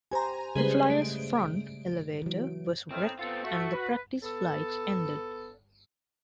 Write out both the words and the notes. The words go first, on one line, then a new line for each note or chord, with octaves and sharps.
The Flyer's front elevator was wrecked and the practice flights ended.
G4 C5 G#5 A#5
C#3 G3 G#3 G#4 B4 C5
A3 D7
E3 F#3
A2 D#3 C4 F6
B3 C4 F4 A4
A3 F#4
B4
B3 A4